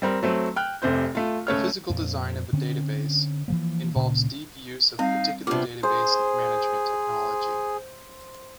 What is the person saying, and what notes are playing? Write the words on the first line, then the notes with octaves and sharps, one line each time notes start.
The physical design of a database involves deep use of particular database management technology.
G3 C4 A#4
F#3 A3 C4
G5 F6 F#6
F1 C3 C5 G6
A3 F4
C#2 A3 C#5 F6
F2 A#2
D3 C4 C#4
E3 F3 A#3
D2 A#2 C#3
G3 C4 D#4 F5
C3 B3 D4 F4 D6
G#4 C5